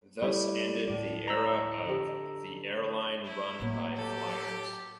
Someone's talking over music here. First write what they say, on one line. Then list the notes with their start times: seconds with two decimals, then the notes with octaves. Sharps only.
Thus ended the era of "The Airline Run by Flyers".
0.22 G3 A3 E4
0.88 D2 A2 D5
1.28 A#5 E6
1.86 D3 G4
3.25 E4
3.60 A2 F#3 A#3
3.96 G4 A4